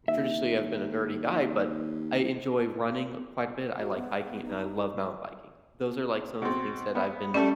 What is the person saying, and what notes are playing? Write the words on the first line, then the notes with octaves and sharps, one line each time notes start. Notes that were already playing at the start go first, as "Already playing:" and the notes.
Traditionally, I've been a nerdy guy, but I enjoy running quite a bit, I like hiking, and I love mountain biking. Those are, like, some of the things that I've been,
D#2 E5
F#4
B3
D#1 D#4
B2 C4
B3
G3 A3 C#4 A4